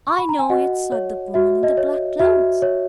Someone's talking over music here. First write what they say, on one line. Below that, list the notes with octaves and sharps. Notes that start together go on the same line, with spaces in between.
"I know it!" said the woman in the black clothes.
C#6
B5
A#5
G#5
F#4 D#5 F#5
C#5
F#4 E5
D#5
C#5
F#4 E5
C#5